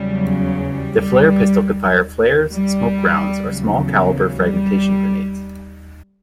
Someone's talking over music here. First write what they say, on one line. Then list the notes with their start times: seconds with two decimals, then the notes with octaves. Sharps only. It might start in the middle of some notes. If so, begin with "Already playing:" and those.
The flare pistol could fire flares, smoke rounds or small calibre fragmentation grenades.
Already playing: E2 C#3 F#3 G3
0.72 G3
2.51 G3
3.41 E2 C#3 F#3
4.30 G3